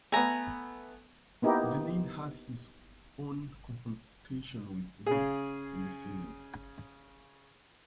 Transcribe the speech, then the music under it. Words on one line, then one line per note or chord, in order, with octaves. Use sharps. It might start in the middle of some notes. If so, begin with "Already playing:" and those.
Dinneen had his own confrontation with Ruth in the season.
A3 B3 G#5 A#5
A#3 B3 D#4 E4 G4
C#3 G#4